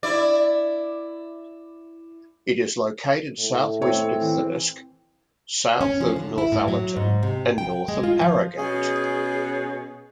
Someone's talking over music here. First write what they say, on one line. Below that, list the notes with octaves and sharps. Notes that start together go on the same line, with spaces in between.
It is located south-west of Thirsk, south of Northallerton and north of Harrogate.
E4 D5
A2
A3 C4 C#5
E3
C#4
F3
D3
E4
A2
F#3
G#2
C3
G5
G#3
F4
F3
B2 C#4 G#4